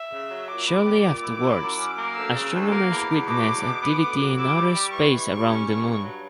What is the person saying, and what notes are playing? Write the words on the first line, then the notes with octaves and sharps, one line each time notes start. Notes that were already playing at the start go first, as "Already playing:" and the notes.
Shortly afterwards, astronomers witness activity in outer space around the moon.
Already playing: E5
C#3
F#3
A#2 D6
B3
G3
A#2
E4
E4
F#2
F#2
A#3
D2 E6
C#3
D2
A#3 D6
E2
E2
B2 D6
E2
B2
B3
D2
F#3
E4 D6
G3
G3
E3 C#6
G3
G3
C#4
G2
G2
F#3